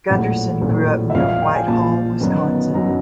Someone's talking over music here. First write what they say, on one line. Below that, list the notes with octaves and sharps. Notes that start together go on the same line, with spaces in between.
Gunderson grew up near Whitehall, Wisconsin.
A#1 A2 F#3 A3 C4 F#5
A#1 A2 F#3 A3 C4
E5
A#1 A#2 F3 F5
F5
G5
G#5
A#1 A#2 F3 A5
G1 F#2 D#3 F#3 B3
G1 F#2 D#3 F#3 B3 A#5